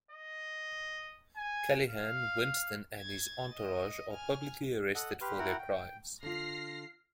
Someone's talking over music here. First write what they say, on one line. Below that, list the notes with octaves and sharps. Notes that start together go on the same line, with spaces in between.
Calighan, Winston and his entourage are publicly arrested for their crimes.
D#5
G#5
F5
G#6 A6
D#5
G#5 F6
A4 D#5 F#5
G4 B4 C6 F6
E4 F#4 A#4 F#5 G5
G5
D3 F4 F6 A#6 C7